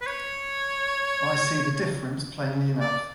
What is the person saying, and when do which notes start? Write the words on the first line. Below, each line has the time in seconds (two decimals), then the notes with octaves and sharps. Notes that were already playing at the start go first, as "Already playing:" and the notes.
I see the difference plainly enough.
0.01 B4
0.06 C#5
2.81 D5